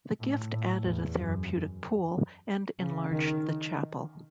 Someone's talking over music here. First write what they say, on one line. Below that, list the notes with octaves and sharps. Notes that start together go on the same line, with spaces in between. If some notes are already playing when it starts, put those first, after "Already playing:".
The gift added a therapeutic pool and enlarged the chapel.
A2
A2
E2
F#2
C#3
D#3